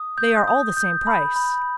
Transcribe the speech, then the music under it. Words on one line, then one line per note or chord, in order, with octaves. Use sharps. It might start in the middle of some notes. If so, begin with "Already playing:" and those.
"They are all the same price."
Already playing: D#6
G6
D#6
G6
B5
B5